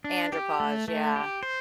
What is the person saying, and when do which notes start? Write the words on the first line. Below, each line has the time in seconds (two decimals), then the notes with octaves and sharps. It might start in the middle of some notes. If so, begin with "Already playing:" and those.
Andropause, yeah.
0.04 D4
0.32 G4
0.60 A3
0.88 A3
1.16 G4
1.43 C5